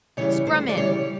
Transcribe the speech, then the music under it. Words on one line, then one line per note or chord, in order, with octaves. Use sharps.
Scrum in.
C#3 E3 G3 C#5
D2 C5
D5
C#3 E3 G3 C#5